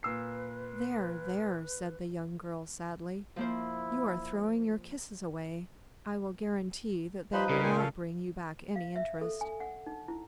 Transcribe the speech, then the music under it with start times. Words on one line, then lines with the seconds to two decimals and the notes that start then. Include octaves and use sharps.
"There, there," said the young girl, sadly, "you are throwing your kisses away; I will guarantee that they will not bring you back any interest."
0.03 A#2 B4 E6 C7
3.36 F3 A#3 E4 C5
7.33 F3 D#4 B4 C5 B5 C6
7.50 C2 C#3 F5
7.63 A#2 F4 G5 G#5
7.76 A4 F5
8.76 F5
8.96 E5
9.21 A4
9.41 G#5
9.60 F#5
9.86 D#4
10.08 E4